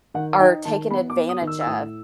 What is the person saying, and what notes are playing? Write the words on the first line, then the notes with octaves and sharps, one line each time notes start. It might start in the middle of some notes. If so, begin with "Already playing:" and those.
are taken advantage of.
D#3 F#5
D#4 G5
D#3 A5
B3 B5
D6
B3
D#6
D#3
E6
E6
A2 D#6